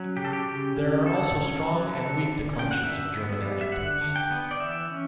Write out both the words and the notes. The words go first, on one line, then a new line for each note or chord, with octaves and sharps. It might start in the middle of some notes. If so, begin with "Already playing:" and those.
There are also strong and weak declensions of German adjectives.
Already playing: F#3 C#4
C#3 G4
A4
G4
C#3
C#4
D3 A4
C#4
F#3
D3 A4
D3
C#4
G5
F#5
D3 E5
B3
G3
E5
D3 F#5
D3
G5
B3
D5
E3 E5
C#4